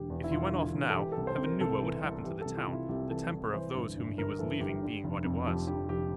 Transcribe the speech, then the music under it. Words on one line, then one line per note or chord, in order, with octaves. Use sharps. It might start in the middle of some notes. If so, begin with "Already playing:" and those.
If he went off now, Heaven knew what would happen to the town, the temper of those whom he was leaving being what it was.
Already playing: E1 D3 G4
E2
E4
E1 F4
D3
E1
A4
E3 G4
A4
C2
C5
C3
A#4
C2 A4
E3
C2
E3 G4
C2 A4
F4
C3 E4
C2 G4
E3 A4
C2
E3 C5
G1
G2
G1 A#4
E3 A4
G1 G4
D3
F1
F2
F3 G4
D3 G4
F1 G4